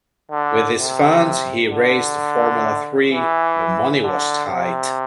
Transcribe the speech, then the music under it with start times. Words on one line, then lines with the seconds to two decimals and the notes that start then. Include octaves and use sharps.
With these funds, he raced Formula Three, but money was tight.
0.31 D3
0.77 C3
1.70 D3
3.09 E3
4.03 D3
4.49 C3